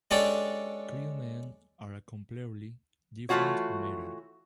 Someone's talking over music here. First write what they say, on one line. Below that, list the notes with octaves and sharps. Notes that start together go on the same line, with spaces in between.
Crewmen are a completely different matter.
G#3 C#4 D4 G4 A4 D5
E3 A3 D#4 F4 F#4 C#5